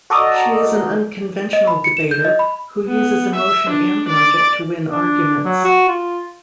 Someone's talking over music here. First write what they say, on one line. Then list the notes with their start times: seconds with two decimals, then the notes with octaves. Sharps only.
She is an unconventional debater who uses emotion and logic to win arguments.
0.10 F#4 A4 D5 D#5 A#5
1.53 D#5
1.67 B5
1.84 C#7
1.97 E7
2.11 G6
2.25 D#5
2.39 B5
2.88 B3
3.35 E5
3.69 D4
4.08 D5
4.91 D4
5.45 F#3
5.65 F#4
5.88 F4